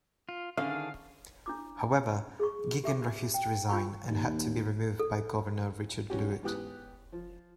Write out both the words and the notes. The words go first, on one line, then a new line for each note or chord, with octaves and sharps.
However, Jagan refused to resign, and had to be removed by Governor Richard Luyt.
F4
D3 D#3 C#4 D4 G#4 F5
D4 E4 D6
G#4 C#6
G4 E5 D6
G5
D4 F4 B5 C#6
D#2
A4
E3 G3 C#4 F#4 G4
G#2 E3 B3 G4 D#6 F#6
F3